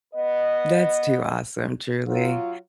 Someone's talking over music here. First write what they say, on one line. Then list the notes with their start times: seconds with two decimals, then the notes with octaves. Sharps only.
That's too awesome, truly.
0.14 B3 B4 D#5
2.07 F#3 F4